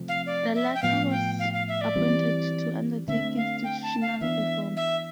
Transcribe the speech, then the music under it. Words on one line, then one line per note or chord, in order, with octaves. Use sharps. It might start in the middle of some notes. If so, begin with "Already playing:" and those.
The latter was appointed to undertake institutional reform.
Already playing: C3 F3 A3 C4
F5
D5
E5
G5
A2 F3 B3 F5
G5
F5
F5
E5
D5
E3 G3 C4
D3 A3 C4 E5
F5
G5
A5
F5
E3 B3 D4 E5
E5